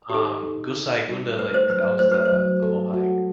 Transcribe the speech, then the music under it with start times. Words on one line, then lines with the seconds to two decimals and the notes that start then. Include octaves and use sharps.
um, Gosaikunda Lake, that was the, the whole hike,
0.10 G4
0.14 D#4 A4
0.46 D#4
0.77 D#4
1.08 G3
1.38 A3 B4
1.54 C5
1.70 F#3 B4
1.99 A3 C5
2.12 B4
2.25 C5
2.33 F#3
2.63 A4
2.93 F#4